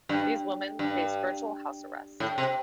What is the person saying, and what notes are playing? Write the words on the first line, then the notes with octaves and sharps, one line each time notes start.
These women faced virtual house arrest.
G2
G2
A2
C3